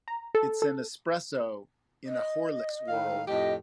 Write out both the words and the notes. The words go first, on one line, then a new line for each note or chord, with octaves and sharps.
It's an espresso in a Horlicks world.
A#5
A4
A4
D#5
A2 D#3 F5
F2 A2 G4 D#5